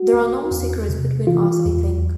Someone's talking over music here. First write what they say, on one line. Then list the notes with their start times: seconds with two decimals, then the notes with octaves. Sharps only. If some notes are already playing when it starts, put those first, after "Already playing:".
There are no secrets between us, I think.
Already playing: F#4
0.13 C2
0.51 E2
0.89 C3
1.27 E3 F4
1.66 E2